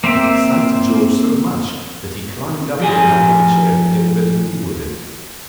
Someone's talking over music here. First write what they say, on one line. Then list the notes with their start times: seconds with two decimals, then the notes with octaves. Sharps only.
It excited George so much that he climbed up on the back of a chair to get a better view of it.
0.04 A#3 C4 C5 E5 G5
2.80 F3 G4 G#5